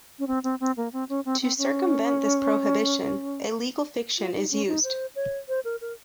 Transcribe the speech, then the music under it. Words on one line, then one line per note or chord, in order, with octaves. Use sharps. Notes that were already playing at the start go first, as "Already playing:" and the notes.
To circumvent this prohibition, a legal fiction is used.
C#4
C4
C4
C4
A#3
C4
C#4
C4
C4
C#4
F4
D#4
C#4
D#4
C5
C#5
C5
A#4
A#4